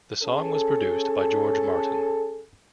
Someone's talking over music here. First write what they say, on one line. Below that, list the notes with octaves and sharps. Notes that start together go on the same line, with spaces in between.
The song was produced by George Martin.
C#4 G#4 A4